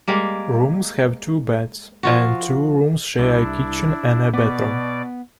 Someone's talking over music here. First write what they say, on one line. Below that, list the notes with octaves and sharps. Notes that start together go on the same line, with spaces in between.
Rooms have two beds and two rooms share a kitchen and a bathroom.
G3 G#3 A#3
F3 F4 F#4
C2 D4 E4
B2 B3 D5 D6